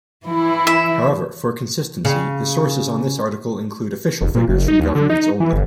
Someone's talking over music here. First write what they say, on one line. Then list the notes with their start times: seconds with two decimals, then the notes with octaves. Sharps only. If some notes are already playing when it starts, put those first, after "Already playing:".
However, for consistency, the sources on this article include official figures from governments only.
0.24 E3 E4
0.67 E5
2.05 C#3
4.21 F1
4.35 A#2
4.48 F#1
4.68 D#4
4.80 D#2
4.95 D3
5.10 D#4
5.40 E3
5.53 G1